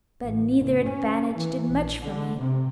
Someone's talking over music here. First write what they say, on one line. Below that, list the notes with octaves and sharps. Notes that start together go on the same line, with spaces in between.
But neither advantage did much for me.
A1
F#1
C#4
E3
A#1
D3
C3